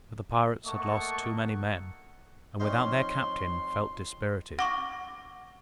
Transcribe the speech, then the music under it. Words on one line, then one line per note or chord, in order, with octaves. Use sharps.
But the pirates had lost too many men; and without their Captain, felt dispirited.
A3 A#3 A4 D#5 F#5 C#6
F2 C#4 D#4 C6
F#5 C#6 D6 A#6